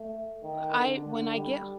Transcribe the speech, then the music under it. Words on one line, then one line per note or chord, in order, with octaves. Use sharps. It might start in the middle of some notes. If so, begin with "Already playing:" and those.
I when I get h
Already playing: A3
D#3
D3
D3
G3